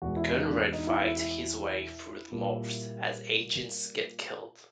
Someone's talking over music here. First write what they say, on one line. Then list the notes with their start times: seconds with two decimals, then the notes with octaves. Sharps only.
Conrad fights his way through the Morphs as agents get killed.
0.02 E2 B2 G#3 F#4
0.16 E4
0.31 D#4
0.45 D4
0.59 D4
0.73 D#4
0.87 E4
1.02 E4
1.17 E4
2.32 A#2 G3 A#3